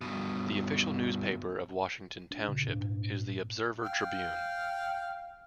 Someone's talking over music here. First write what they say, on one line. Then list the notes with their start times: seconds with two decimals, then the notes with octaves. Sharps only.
The official newspaper of Washington Township is The Observer-Tribune.
0.01 G2 B2
2.31 D4
2.48 A#2 C#3
2.68 G#2 D4
3.82 F5 G5